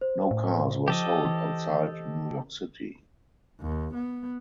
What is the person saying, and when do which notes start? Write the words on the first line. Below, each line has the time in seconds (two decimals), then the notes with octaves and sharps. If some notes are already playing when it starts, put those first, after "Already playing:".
No cars were sold outside New York City.
0.01 C5
0.31 A2
0.88 F3 G4 A4 D#5
1.25 E3
3.60 D#2
3.94 B3